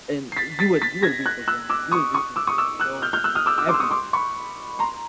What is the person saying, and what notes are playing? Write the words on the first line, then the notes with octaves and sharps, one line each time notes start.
and you would you would read the wro you would read the room so wrong everyone read the room so wrong,
C7
A6 B6
A6 B6
A6 B6
G#6 A#6
F#6 G#6
E6 F#6
D6 E6
C#6 D#6
C#6 D#6
D6 E6
C#6 D#6
D6 E6
E6 F#6
F6 G6
F6 G6
E6 F#6
D#6 F6
D6 E6
D6 E6
C6 D6
E6
C#6 D#6
C6 D6
B5 C#6
A#5 C6